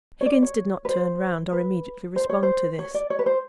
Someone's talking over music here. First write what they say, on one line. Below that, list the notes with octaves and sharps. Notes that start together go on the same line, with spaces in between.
Higgins did not turn round, or immediately respond to this.
C#5
D5
C#5
B4
C5
B4
C5
C#5
C5
C#5
D5
C#5
B4
C5